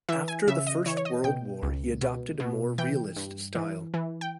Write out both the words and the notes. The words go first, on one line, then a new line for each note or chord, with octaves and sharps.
After the First World War he adopted a more realist style.
E3 E5
G#5
C#3 E5
D#5
E3 C#5
C#5
D#5
B2 G5
C#2
B2
B2
E3 G5
G2
E3
E3
G5